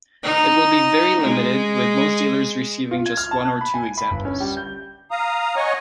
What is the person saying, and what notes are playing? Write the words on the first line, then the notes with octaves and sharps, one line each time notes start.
It will be very limited, with most dealers receiving just one or two examples.
D#4
G#3
F4
G#6
F6
A5
F#6
B5
G#5
B5
G1
C#4
G3
G6
F5 A#5 D#6
C#5 D#5 F#5 G#5 C#6